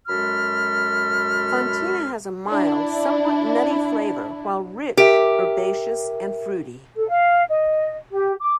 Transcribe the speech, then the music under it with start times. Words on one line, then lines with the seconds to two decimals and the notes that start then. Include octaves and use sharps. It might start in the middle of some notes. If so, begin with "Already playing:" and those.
Fontina has a mild, somewhat nutty flavor, while rich, herbaceous and fruity.
0.08 F#2 G#3 F#4 A4 B5 F6
2.48 D4 E4
4.97 G4 A#4 E5
6.96 A4
7.08 F5
7.49 D#5
8.11 G4
8.40 D6